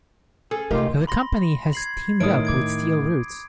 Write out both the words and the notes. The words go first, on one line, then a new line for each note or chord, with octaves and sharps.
The company has teamed up with SteelRoots.
C#4 G#4 A4
C3 A3 D#4 F4 G4 A#4 F5
B5 C6 A#6
G#6 C7 F#7
A2 D#3 C#5 D#6 D7
D6 G#6 D7